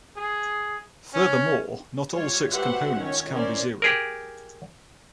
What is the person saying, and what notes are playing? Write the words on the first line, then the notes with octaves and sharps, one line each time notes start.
Furthermore, not all six components can be zero.
G#4
C#4
G3 F4 C#5
F#4 G4 B4 C5 E5 F#5
D#3 C#4 F4 C#5
C#4 E4 A#4 C5 D5
G4 G#4 A#4